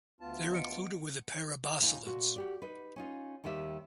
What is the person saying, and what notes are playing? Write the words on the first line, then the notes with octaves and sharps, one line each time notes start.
They are included with the Parabasalids.
D2 B3 F4 A5
D#5 C#7 D7
D#2 D#4 F4 G#5
A#2 F#4
F#4 G4 D5
D#4 B4
C#4 D#4 F4
D#2 D#3 G3 G4 E5